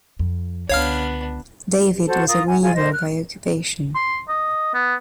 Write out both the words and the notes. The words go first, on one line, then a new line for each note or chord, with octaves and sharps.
David was a weaver by occupation.
F2
C#2 D3 B3 D4 C#5 F5 F6
F#4 A4 C5
F4 A#4 D#6
F#5 G#5
F4 G#4
A#4 C5 D#5
F6 F#6
C6
D#5
B3